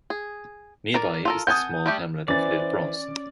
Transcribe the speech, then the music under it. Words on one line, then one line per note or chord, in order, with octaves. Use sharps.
Nearby is the small hamlet of Little Braunston.
G#4
A#4 D5
F4 A4 A#4
F#5 G#5 A5 D#6 G6
G3 A3 G4
E3 C#4 C5 D5 A6